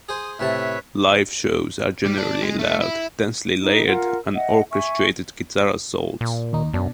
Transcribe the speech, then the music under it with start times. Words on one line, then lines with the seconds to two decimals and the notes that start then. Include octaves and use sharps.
Live shows are generally loud, densely layered and orchestrated guitar assaults.
0.09 G#4 C5 D#6
0.39 A2 C3 B4 C#5 E5 A5
2.06 G3
2.17 D4
2.42 G#3
2.59 A3
2.81 E4
3.59 D#4 G4
3.86 F4 A#4 F#5
4.34 D#5 E5 F#5
4.71 E5 G#5 C#6
6.21 A#2
6.53 D#2 D#4
6.73 F#2 B2 D4